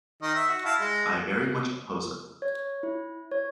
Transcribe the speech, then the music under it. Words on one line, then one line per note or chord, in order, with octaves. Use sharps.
I very much oppose it.
D#3 D#5
E5
F#4
E4 F5 A5
G#3
C#5
E4
C#5